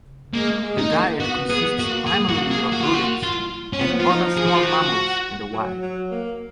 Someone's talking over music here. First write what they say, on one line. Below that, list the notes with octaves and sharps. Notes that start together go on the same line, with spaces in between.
The diet consists primarily of rodents and other small mammals in the wild.
G#3 A#3
G#3
D#4
A#3
B3 F#4
B3 G#4
A#3 F#4
G#4
F#4
G#4
F#4
F4
F#4
F4
C#4
F3 B3
F4
D#4
G#4
F#4
F4
F#4
F#3
F#3
A#3